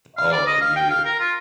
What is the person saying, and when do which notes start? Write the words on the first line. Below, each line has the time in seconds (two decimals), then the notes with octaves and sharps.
Oh yeah.
0.17 F5
0.32 D5
0.46 D#5
0.61 F5
0.76 G5
0.90 F5
1.05 A#4
1.19 F4